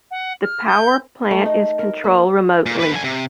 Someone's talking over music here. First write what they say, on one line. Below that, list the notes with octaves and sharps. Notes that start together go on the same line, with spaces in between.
The power plant is controlled remotely.
F#5
F6
G6
A3
D#4
A#4
A#3
A#2
D#2 B4
D3 G#5
C3